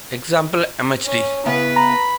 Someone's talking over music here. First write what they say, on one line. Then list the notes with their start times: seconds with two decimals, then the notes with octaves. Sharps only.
Example mhd.
1.04 C#4
1.46 C#3 B3 E4 B4
1.76 A#5 B5